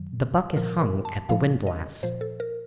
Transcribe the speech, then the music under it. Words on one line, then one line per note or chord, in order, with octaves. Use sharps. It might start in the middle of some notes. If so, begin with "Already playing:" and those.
The bucket hung at the windlass.
Already playing: F#2 D#3 F#3
A#2 F3 A#4
A#4
A5
A#2 F3 F5
D#5
A#2 F3 C5
A4
A#4